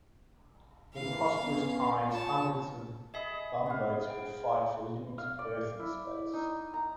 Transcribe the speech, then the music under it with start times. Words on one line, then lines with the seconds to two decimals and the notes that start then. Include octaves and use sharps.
In prosperous times, hundreds of bumboats would fight for limited berthing space.
0.94 G#1 E3 A#3 F5
1.40 B3 C#4
2.09 F4 C#5 A5
3.14 G#4 D#5 E5 B5
3.66 B3 F5
4.07 G#4 G5
5.18 F5
5.39 D5
5.80 E4
6.33 D#4
6.74 A#5